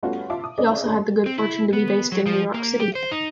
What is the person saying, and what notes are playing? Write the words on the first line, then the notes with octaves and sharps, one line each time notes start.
He also had the good fortune to be based in New York City.
G3 A3 B3 C#4 F4 F#4
F4 E5 F5 A5 D6
D#6
G#3 C#4 G#4 B4 D5 D#5
G1 G#3 A3 C#4 C6
C4
E4
B3
F#3
F3
A#3
G4
C5
D#4